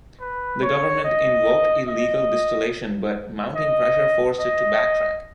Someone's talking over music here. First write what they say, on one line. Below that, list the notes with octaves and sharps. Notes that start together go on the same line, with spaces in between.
The government invoked illegal distillation, but mounting pressure forced it to backtrack.
B4
C#5
D#5
D#5
D#5
D#5